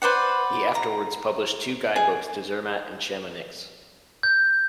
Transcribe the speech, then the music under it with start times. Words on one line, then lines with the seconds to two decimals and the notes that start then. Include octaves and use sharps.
He afterwards published two guide books to Zermatt and Chamonix.
0.02 B4 C5 D5 F#5
0.75 A#5
1.96 G#4
4.23 G6